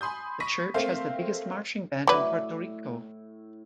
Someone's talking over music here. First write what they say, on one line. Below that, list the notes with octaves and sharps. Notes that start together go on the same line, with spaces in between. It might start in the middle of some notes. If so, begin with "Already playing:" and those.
The church has the biggest marching band in Puerto Rico.
G#5 B5 C6 D#6 G6
B5 C#6 A#6 B6 D#7
A3 A#3 C4 C5 E5 F5
A2 F#3 B4 D5 D6